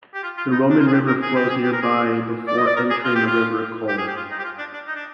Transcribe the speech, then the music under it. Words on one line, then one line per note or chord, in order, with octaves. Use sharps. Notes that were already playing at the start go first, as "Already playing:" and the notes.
The "Roman River" flows nearby before entering the River Colne.
G4
F4
F4
D#4
D4
F4
G#4
G4
A#4
G#4
G4
G#4
G4
A#4
G#4
D5
D#5
D5
A#4
G#4
F4
G4
F4
G4
G#4
G4
F4
D#4
G4
F4
D4
D4
D#4
D4